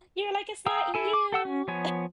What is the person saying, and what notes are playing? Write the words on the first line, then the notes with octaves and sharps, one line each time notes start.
you're like, "It's not you."
F5 G5 A#5 D#6 E6
E4 A4 G#5
D6
A4 F#5 E6
C#4
F3 B3 C#5 G#5